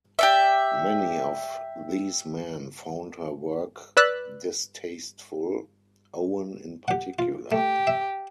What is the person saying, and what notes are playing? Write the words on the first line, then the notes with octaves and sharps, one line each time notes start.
Many of these men found her work distasteful, Owen in particular.
G4 D5 E5
B4 D5 E6 F#6 A6 B6
G4 F#5
F4
A3 G4
E5